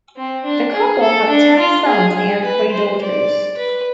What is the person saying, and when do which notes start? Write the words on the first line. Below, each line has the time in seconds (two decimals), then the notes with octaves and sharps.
The couple have ten sons and three daughters.
0.17 C4
0.44 D4
0.73 G#4
1.02 A4
1.30 D4
1.59 F4
1.86 G#4
2.15 G#4
2.44 B4
2.72 C5
3.01 D5
3.57 B4